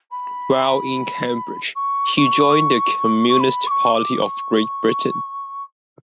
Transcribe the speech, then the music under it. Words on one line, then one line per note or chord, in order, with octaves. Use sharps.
While in Cambridge he joined the Communist Party of Great Britain.
B5
C#6
C#6
C#6
B5
D6
C#6
D6
C#6